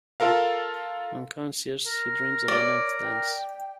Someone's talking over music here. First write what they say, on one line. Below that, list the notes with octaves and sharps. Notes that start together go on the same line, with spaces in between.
Unconscious, he dreams of a nymph dance.
F4 A4 A#4 F5
A#4
C#5 D5
G5